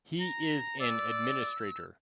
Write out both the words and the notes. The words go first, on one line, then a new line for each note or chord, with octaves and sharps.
He is an administrator.
A#5
D5 E6